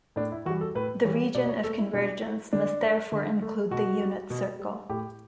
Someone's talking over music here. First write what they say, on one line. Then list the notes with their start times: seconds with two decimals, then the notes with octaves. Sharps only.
The region of convergence must therefore include the unit circle.
0.16 A2 D4
0.32 E4
0.46 E3 F#4
0.50 G3
0.61 A4
0.75 A2 B4
1.05 E3 G3 C#5
1.35 B2 D5
1.45 D5
1.49 C#5
1.64 A3 A4
1.78 E4
1.93 B2 D4
2.23 A3
2.53 D3 D4
2.83 A3
3.12 D3
3.42 A3
3.71 B2 F#4
4.00 G3
4.30 B2
4.59 G3
4.90 A2 G4